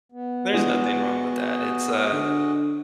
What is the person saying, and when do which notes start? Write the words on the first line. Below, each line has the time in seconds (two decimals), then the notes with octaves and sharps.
there's nothing wrong with that. It's, uh,
0.12 B3
0.53 E3 G#3 D4 F#4 G#4 D#5
2.12 D3